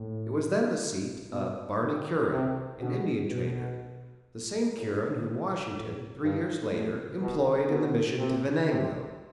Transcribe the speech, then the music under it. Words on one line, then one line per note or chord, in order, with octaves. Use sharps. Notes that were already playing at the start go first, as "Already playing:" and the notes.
It was then the seat of Barney Curran, an Indian trader--the same Curran whom Washington, three years later, employed in the mission to Venango.
Already playing: A2
B2
D#3
C3
B2
B2
A2
A2
G2
A2
B2
B2
C3
C3